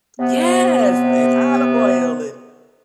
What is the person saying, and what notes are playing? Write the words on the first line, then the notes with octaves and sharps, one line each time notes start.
Yes! And Olive Oyl and
C3 B3